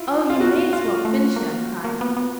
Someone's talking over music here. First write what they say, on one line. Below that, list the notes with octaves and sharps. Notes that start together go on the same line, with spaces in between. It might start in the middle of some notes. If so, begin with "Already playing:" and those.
"Oh, you may as well finish it!" I cried.
Already playing: E4 F4
F4
F#4
F4
A3
A#3
A#3
B3
B3